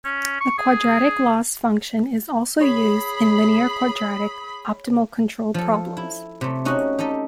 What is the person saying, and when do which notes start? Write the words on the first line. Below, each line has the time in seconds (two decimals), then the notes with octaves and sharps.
The quadratic loss function is also used in linear-quadratic optimal control problems.
0.05 C#4
0.40 C#6
0.59 G#4
2.61 G#4 C#5 B5 D#6
5.54 F3 A4
5.97 E4
6.41 C3 A3
6.65 C#4 D#4 F#4 D#5
6.99 D#4 G4 A4 D#5